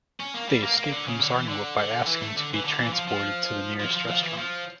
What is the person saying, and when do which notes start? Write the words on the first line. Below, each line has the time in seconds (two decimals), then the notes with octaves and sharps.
They escape from Zarniwoop by asking to be transported to the nearest restaurant.
0.20 C#4
0.34 A#3
0.48 G3
0.63 A#3
0.77 A#3
0.91 D3
1.07 C#3
1.20 D3
1.35 E3
1.48 D3
1.77 D3
2.06 E3
2.21 A3
2.35 D3
2.54 E3
2.64 D3
2.79 E3
2.93 F3
3.08 F3
3.80 F3
3.94 F3
4.08 F3
4.23 E3
4.37 F3